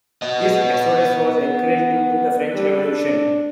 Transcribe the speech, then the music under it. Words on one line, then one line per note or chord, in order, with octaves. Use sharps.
This exodus was encouraged due to the French Revolution.
B3 D#5
G3
D4